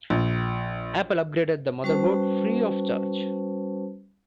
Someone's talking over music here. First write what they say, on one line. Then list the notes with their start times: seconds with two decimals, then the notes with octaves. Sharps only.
Apple upgraded the motherboard free of charge.
0.10 A#1
1.84 G3 C#4 F#4 B4 C5 A5